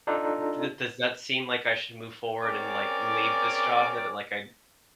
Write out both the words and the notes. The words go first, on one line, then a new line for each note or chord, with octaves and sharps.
d does that seem like I should move forward and, like, leave this job that, uh, like, I
D4 D#4 F4 A4
C4 C#4 G#4 A#4 D5 D6